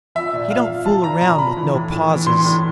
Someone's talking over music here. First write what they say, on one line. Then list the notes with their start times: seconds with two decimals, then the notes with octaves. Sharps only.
He don't fool around with no pauses.
0.15 F3 E5
0.33 A#2
0.50 A#2 F5
0.68 F3
0.86 F3 A5
1.04 A#2 A#5
1.21 A#2 A#5
1.38 F3 B5
1.57 E3
1.74 A2
1.91 A2
2.09 E3
2.27 E3 C6
2.44 A2